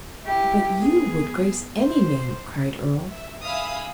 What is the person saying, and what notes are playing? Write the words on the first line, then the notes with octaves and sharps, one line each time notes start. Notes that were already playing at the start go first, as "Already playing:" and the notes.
"But you would grace any name!" cried Earle.
E4 G4
B3 G#4
C5
E5
E5 F5 G#5 B5 D#6